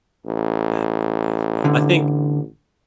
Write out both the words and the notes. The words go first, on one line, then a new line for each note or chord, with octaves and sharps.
that movie, as well. I think
A1
D3